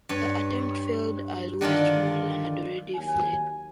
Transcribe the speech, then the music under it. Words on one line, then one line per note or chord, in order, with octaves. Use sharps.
The attempt failed, as Westmorland had already fled.
G2 C#5
D3 D#3 D4 F4
D#2 F#3 G#5